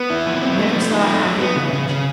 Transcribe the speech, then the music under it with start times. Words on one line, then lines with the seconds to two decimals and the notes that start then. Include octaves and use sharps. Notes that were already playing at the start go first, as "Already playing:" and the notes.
"Never saw a happier marriage."
Already playing: B3
0.10 E4
0.26 F3
0.42 C4
0.58 A3
0.75 F3
0.91 D#4
1.07 A3
1.23 F#3
1.40 B3
1.56 C#3
1.73 C#3
1.89 C#3